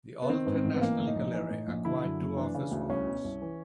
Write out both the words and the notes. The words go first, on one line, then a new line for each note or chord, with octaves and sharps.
The Alte Nationalgalerie acquired two of his works.
B3
D#3 C4
G#2 B3
C4
A1
B3
E3 A#3
A2
D#4
A#1
E3
A2
A#1
D3 E4
F#2
F#1
E3 D4
C#3
D2
C2 C#4
B2
C2
E3